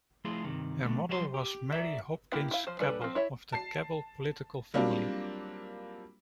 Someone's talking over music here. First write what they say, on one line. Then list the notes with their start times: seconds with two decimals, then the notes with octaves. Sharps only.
Her mother was Mary Hopkins Cabell, of the Cabell political family.
0.25 F3 A3 E4 F4 G#4 C6
0.44 G2 C3 D#3
0.82 B1 D3 A3
1.09 F#3 G3 C5 E5 C6
1.34 G4
1.72 A#4 D5 E5
2.32 A#3 E4 G4 F#5
2.51 E4 F5
2.67 F3 C5
2.79 G3 C#4 D4 A4 B4
3.01 F3 C4
3.15 E4 C#5 E5
3.52 A5 C7
4.74 F#3 G3 A#3 C4 D4 F4